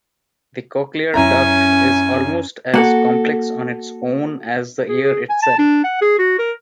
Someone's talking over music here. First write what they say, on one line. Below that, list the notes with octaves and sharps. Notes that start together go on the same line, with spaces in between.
The cochlear duct is almost as complex on its own as the ear itself.
F#2 C#4 E4 G#5 A#5
A#3 F#4 A4 F#5
G#4
G#4
G#5
A5
D4
F#5
G#4
F#4
A#4